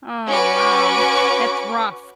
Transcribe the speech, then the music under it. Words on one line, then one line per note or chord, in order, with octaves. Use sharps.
Oh, wow, that's rough.
C#4 F#4 B4 C#6 D6 D7